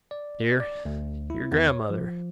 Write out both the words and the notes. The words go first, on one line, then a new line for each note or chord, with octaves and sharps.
"Dear," your grandmother.
D5
D5
D2
E4
E2
C#5
F3